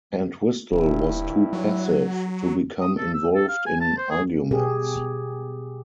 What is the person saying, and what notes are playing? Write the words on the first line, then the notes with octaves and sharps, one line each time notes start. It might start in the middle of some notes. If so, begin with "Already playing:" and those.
Entwistle was too passive to become involved in arguments.
D#1 G2 E4
F#3
D#6
A4
E6
A4
F5
G#5
A5
C5
G#4
B2 G4 G#4